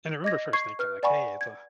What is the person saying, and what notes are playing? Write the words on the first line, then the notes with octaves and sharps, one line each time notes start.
and I remember first thinking like, "Hey, it's a"
D#5 D6 G#6 A#6
C#6 G#6 C7
B4 F6
D5 F#5 G#5 B5 C#6
G#6